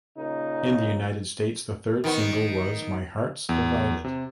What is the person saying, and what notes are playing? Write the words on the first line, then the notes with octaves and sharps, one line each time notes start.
In the United States, the third single was "My Heart's Divided".
A#2 C#3 D#4 A#4
D#3 B3
E2
C3